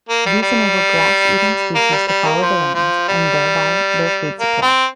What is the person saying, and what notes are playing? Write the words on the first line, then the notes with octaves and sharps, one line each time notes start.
These enable grass-eating species to follow the rains and thereby their food supply.
A#3
G3
G3
A#3
G3
G3
A#3
F3
F3
G3
A#3
C4